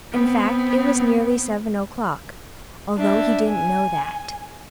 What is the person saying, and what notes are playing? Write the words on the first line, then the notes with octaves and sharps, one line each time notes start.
In fact, it was nearly seven o'clock, although he didn't know that.
B3 C4
D4 E5
G#5